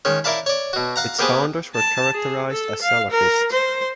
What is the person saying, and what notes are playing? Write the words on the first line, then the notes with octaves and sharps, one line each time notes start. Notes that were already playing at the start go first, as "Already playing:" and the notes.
Its founders were characterised as salafists.
D#3 G#3 C#4
E4 A#4 D5 F5 A5 B5
C#5 D5
B2 F#4
F5 F#5 A#5
A#3 B3 G4 G#4 B4 C5
A5
G#4
A4
F5
A#4
C5